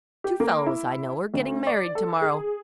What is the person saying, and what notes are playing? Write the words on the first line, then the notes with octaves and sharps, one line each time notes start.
Two fellows I know are getting married to-morrow.
G4
A#3
E4
D2
D5
A4
G#4